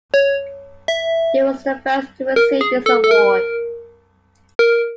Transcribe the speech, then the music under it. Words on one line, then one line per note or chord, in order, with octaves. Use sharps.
He was the first to receive this award.
C#5
E5
A#4
G#4
A4
A4
A#4
A#4